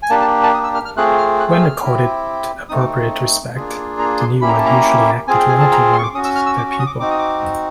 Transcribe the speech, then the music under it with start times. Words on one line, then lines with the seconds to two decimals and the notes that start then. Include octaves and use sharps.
When accorded appropriate respect, taniwha usually acted well towards their people.
0.03 G#5
0.10 A#3 D4 G4 A5
0.21 A5
0.43 A5
0.54 D#6
0.64 E6
0.75 F6
0.85 F6
0.96 A3 C4 F4 G#4 F#6
1.18 F6
1.40 F#6
1.51 E6
1.61 F6
1.83 C4 E4 G4
2.69 A3 C4 D#4 D#6
2.80 D6
3.56 A#3 D4 F4 G#4
3.99 A#5
4.20 C6
4.41 A#3 C#4 E4 G4 B5
4.49 A#5
4.58 A5
4.65 A#5
5.28 C4 F4 G#4 G#5
5.39 G5
5.49 G#5
5.60 A5
5.72 A#5
5.93 C6
5.98 C#6
6.03 D6
6.14 C#4 F#4 D#6
6.25 E6
6.35 F6
6.46 E6
6.58 D6
6.71 C#6
6.79 D#6
6.87 D6
7.00 C4 D#4 F#4 D6
7.11 D#6
7.19 D6